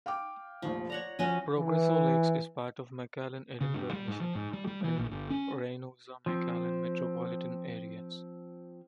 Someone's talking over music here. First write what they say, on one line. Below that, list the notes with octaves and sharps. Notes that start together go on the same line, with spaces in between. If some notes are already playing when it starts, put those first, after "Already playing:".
Progreso Lakes is part of the McAllen-Edinburg-Mission and Reynosa-McAllen metropolitan areas.
F5 G5 D6
F1 A#1 F3
C#5 D5 F#5 A#5
F3 C#4 F#4 D#5
E3
C#3
G2
G3
G#2
F3
G#2
G3
G3
E3
A#1
G1
C#4
F3 C4